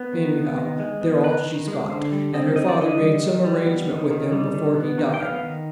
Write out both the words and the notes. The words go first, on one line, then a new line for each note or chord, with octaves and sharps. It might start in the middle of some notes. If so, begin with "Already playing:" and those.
Any-how, they're all she's got, and her father made some arrangement with them before he died.
Already playing: B3
D#3
B3
D#3
G#3
B3
D#3 B4
D#3
G#3
D3 C5
G3
C4 D#5
D3 D#5
D5
D3 D#5
G3
D#3
G3
B3
D#3
D#3
G3
D#3
B3
D#3
G5
B3 F5
D#3